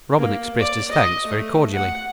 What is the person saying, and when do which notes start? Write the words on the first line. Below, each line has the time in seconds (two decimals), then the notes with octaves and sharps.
Robin expressed his thanks very cordially.
0.17 A#3
0.59 D5
0.90 D#5
1.26 A3
1.73 F#5